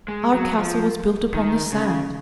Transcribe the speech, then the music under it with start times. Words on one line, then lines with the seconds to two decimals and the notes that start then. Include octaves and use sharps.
Our castle was built upon the sand.
0.08 G#3
0.34 F#3
0.58 F3
1.34 D#3
1.72 C#3